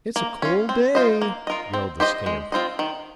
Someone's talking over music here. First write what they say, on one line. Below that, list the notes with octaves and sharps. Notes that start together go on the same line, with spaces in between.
"It's a cold day!" yelled the scamp.
A#3
C#4 F4
C4
F4 C5 D#5
A#3
F4 A#4 D#5
C4
G4 C5 D#5
G#3
C4 F4 C5 D#5
D#3